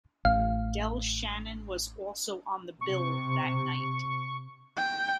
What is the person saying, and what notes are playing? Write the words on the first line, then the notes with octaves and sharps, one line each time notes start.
Del Shannon was also on the bill that night.
A1 F5
C3 C#6
G5